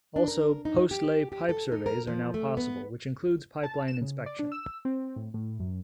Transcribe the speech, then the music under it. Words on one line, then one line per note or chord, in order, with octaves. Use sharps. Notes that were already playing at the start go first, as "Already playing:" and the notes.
Also, post-lay pipe surveys are now possible, which includes pipeline inspection.
D4
A#4
D#4
G4
G4
A4
D#4
A#4
F3
A3
B3
A5
E7
C#3
D5
D4
E6
C4
A2
A2
F#2